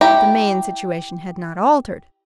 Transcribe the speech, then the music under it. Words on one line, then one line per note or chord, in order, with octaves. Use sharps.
But the main situation had not altered.
E4 G4 A#5